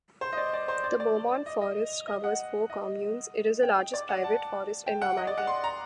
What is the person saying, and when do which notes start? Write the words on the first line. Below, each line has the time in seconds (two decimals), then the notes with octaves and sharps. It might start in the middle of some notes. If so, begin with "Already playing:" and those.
The Beaumont forest covers four communes; it is the largest private forest in Normandy.
0.21 C5
0.32 D#5
0.37 D5
0.53 D5
0.68 C5
0.84 D5
1.00 D5
1.46 D#5
1.61 D#5
2.08 D#5
2.24 F#5
2.70 D#5
3.63 G5
3.94 D5
4.09 F#5
4.24 A5
4.86 G5
5.02 F#5
5.17 D#5
5.27 D5
5.38 F#5
5.47 C6
5.64 A#5